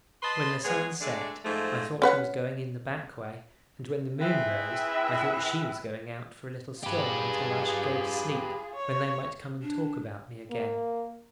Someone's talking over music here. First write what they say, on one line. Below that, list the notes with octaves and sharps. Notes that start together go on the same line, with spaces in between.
When the sun set, I thought he was going in the back way; and when the moon rose, I thought she was going out for a little stroll until I should go to sleep, when they might come and talk about me again.
B4 D#5 A5 C6
G#3 B3 G#4 C#5
G#3 A3 D4 A4 D5
G#2 F3 A3
C#4 B4 F#5
C4 E4 G#4 B4 E5
F4 G4 G#4 B4
C#5
D4
A#3